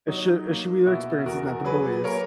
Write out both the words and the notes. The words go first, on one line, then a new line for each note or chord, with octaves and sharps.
it should it should be their experiences, not the beliefs,
F#3 D#4
A#3
B2 E4
E2 F#4 A#4
F#3 G#4 B4
A#3 A#4 C#5